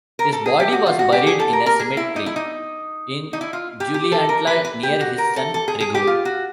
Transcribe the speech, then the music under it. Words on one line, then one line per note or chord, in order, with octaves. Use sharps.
His body was buried in a cemetery in Juliantla near his son Trigo.
A#4
A4
G#4
G4
F#4
F4
F#4
G4
G#4
A4
A#4
A#4
G#4
E4
D#4
E4
D#4
D#4
E4
F4
G4
G4
A4
A#4
B4
B4
G4
F#4
A#4
A4
A4
G#4
G#4
G4
F4
F#4